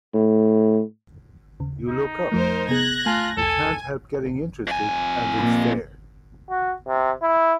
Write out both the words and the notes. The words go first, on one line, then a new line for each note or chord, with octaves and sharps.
You look up... you can't help getting interested and it's there.
A2
D#2 C#3
D#4
F2 F3 A3 A#4 C5
C3 B3 G#4 F#6 G#6 A#6
A3 F4 G#5 A5
B1 E2 A4 G#5
F2 G#5
A#2
F#4
C3
E4